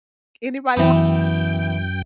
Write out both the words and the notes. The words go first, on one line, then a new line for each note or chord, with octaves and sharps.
Anybody want?"
F#2 E3 B3 G5